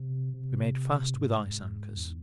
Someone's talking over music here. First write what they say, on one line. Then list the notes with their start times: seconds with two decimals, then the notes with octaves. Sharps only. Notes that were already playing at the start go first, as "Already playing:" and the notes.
We made fast with ice anchors.
Already playing: C3
0.33 C3
1.15 G#2
1.97 E2